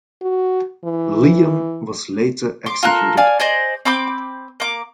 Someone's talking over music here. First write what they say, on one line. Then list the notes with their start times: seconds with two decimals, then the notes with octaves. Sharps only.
Leon was later executed.
0.22 F#4
0.84 E3
2.66 C6 D6
2.83 F4 A4 A#4 F#6
3.17 D5 F5 G#5
3.40 G#4 C5 D5 D#5
3.85 C4 B5 D6 G6
4.60 A#3 D6